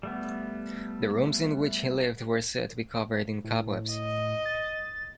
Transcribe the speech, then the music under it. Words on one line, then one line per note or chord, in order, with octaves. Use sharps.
The rooms in which he lived were said to be covered in cobwebs.
G3 A3 B3
A2
D#5
A6